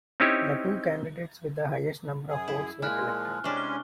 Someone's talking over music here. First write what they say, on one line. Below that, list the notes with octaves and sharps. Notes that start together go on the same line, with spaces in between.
The two candidates with the highest number of votes were elected.
C4 C#4 D#4 E4 G4 C#5
F#2 G#4
E4
A#2 F3 G#3 E4 G#5 F6 F#6
C3 G#3 C#4 D4 C#6
G7